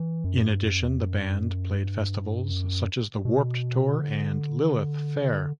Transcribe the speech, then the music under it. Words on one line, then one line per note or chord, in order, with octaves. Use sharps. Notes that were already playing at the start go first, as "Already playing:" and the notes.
In addition, the band played festivals such as the Warped Tour and Lilith Fair.
Already playing: E3
F#2
G2
F#2
E2
F#2
G2
F#2
B2
D3